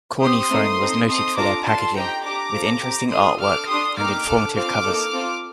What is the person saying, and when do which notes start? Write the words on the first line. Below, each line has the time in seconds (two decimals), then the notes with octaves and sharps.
Kornyfone was noted for their packaging, with interesting artwork and informative covers.
0.20 C4 G4 C6 D#6
0.50 A3 C4 D#4 A4
0.79 C4 D#4 A4
1.08 C4 D#4 A4 C6 D#6
1.36 D4 F4 A4 A#5 D6
1.65 D4 F4 A4 A5 C6
1.94 C4 D#4 G4 G5 A#5
2.24 D4 G4 A#5 D6
2.52 C4 F4 A4
2.81 C4 G4
3.10 D4 F4 A4 C6 D#6
3.39 D4 A4 D6 F6
3.67 D4 G4 C6 D#6
3.97 A#3 D#4 G4 D6 F6
4.26 D4 A4
4.55 C4 F4 A4 D6 F6
4.84 A#3 D#4 A4
5.12 C4 F4 A4